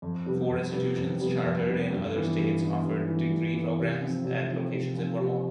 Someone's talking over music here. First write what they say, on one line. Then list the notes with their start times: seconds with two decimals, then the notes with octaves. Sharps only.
Four institutions chartered in other states offer degree programs at locations in Vermont.
0.02 F2
0.26 C3 G3 B3
0.49 F2
0.72 C3 G3 B3
0.97 F2
1.20 C3 G3 B3
1.43 F2
1.67 C3 G3 B3
1.91 G2
2.14 E3 B3
2.38 G2
2.61 E3 B3
2.84 G2
3.07 E3 B3
3.31 G2
3.54 E3 B3
3.78 C3
4.02 F3 C4
4.24 C3
4.48 F3
4.53 C4
4.72 C3
4.95 F3 C4
5.19 C3